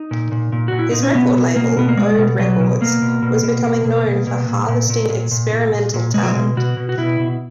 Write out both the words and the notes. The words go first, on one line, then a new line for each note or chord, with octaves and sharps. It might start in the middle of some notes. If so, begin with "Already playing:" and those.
His record label, Ode Records was becoming known for harvesting experimental talent.
Already playing: D#4
A#2
A#2
A#2
A#2 F#4
E4
A#2 D#4
C#4
B2 B3
B2
B2 A#3
B2 B3
A#3
B2 G#3
B2
B2 F#3
B2
B2 A#3
B2
B2
B2
B2
B2
B2
B2
A#2
A#2
A#2
A#2
A#2
A#2
A#2
A#2
B2 G#3
F#3
G#3
B2
B2 F#4
B2
F#4
B2 E4
B2